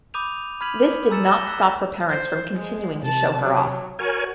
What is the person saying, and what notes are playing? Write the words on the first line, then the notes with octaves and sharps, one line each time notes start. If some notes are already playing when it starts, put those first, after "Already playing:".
This did not stop her parents from continuing to show her off.
B5 D6 D#6 G6 D#7 F7
B5 F6 G#6 B6 D#7 F#7
G#5 A#5 E6 A6 C#7 E7
A#6 E7 G7
A#5 E6 F#6 B6
C5
G#3
C3 A5
F#3
F#4 A#4 C#5 G#5